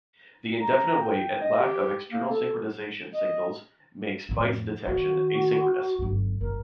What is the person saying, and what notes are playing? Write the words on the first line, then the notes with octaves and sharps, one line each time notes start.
The indefinite wait and lack of external synchronizaton signals makes byte detection asynchronous.
A#5
G5
D#5
G4
A#3
A4
D#5
F2 A2
D#3 A#3 F#4
G1 F#2
F#1 A#4